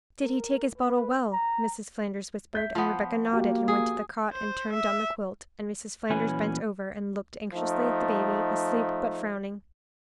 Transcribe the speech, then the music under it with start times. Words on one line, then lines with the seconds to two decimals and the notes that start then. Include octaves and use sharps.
"Did he take his bottle well?" Mrs. Flanders whispered, and Rebecca nodded and went to the cot and turned down the quilt, and Mrs. Flanders bent over and looked anxiously at the baby, asleep, but frowning.
0.21 A#4
0.78 B4
1.33 A#5
2.53 E5 G6 B6
2.75 F3 B3
3.33 A#3 F#4 G4
3.68 G#4
4.32 C5
4.73 E5
6.10 A#2 E3 F#3 C#4 B4 G#5
7.54 F3 A3 D#4